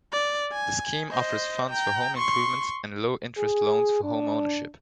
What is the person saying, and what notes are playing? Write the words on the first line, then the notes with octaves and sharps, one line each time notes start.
The scheme offers funds for home improvements, and low interest loans for home ownership.
D5
G#5
C5 D#5
G5 A#5
C6 C#6
G#4
D4